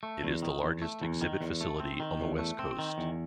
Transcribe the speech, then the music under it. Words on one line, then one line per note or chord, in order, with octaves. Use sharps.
It is the largest exhibit facility on the West Coast.
A3
E2
D#3
E2
A3
E2
D#3
E2
A3
C4
D#3
E2
A3
C4
D#3
E2